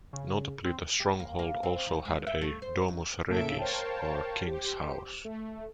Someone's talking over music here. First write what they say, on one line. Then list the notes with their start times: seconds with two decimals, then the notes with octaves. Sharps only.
Notably, the stronghold also had a "domus regis" or king's house.
0.13 C#3
0.65 C4
1.00 G4
1.20 A#3
1.39 A#3
1.63 C4
1.87 D#3
2.05 G#3
2.27 E5
2.41 A3
2.62 C5
2.88 F#2
3.28 A2 C#3 A#3 A4 E5 D7
3.59 A#4 C5 C#5 F5 G5 A5
4.47 G4 C5
5.25 A3